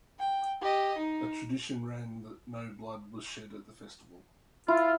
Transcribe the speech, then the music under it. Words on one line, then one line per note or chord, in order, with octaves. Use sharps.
A tradition ran that no blood was shed at the festival.
G5
G4 D#5
D#4
E4 F4